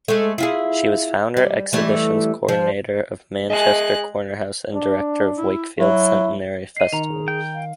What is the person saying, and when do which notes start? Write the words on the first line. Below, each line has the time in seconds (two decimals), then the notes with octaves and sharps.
She was founder Exhibitions Coordinator of Manchester Cornerhouse and Director of Wakefield Centenary Festival.
0.08 G#3 A3
0.38 E4 F4 G#4
1.37 G3
1.73 E3 G3 A3
2.48 F3
3.50 G#3 G#4 D#5 E5 G#5 F#6
4.74 D4
5.38 E4
5.79 F#3 E4
6.77 D#5 C7 D#7
6.93 D#3 A#5 F7
7.10 G#4
7.28 G5
7.54 F5